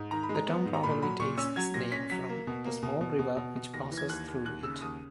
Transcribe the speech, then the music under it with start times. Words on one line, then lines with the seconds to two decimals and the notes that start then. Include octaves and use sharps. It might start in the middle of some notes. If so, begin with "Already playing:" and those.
The town probably takes its name from the small river which passes through it.
Already playing: G#2
0.11 D#3 A#5
0.23 B5
0.29 G#3
0.35 A#5
0.48 B3
0.65 G#2
0.74 A#5
0.83 A#2 B5
1.02 F#3 B5
1.19 A#2 C#6
1.38 C#4 E6
1.56 F#3 G#6
1.74 A#2 A#6
1.92 C#4 B6
2.10 F#3 B6
2.29 A#3
2.47 B2
2.65 A#3
2.83 B2
3.01 B2
3.19 B2
3.37 B2
3.55 B2
3.74 D#2 A#6
3.91 E3
3.97 G#6
4.09 D#2 F#6
4.28 D#2
4.45 D#2 F#6
4.63 C#3 E6
4.81 D#2 D#6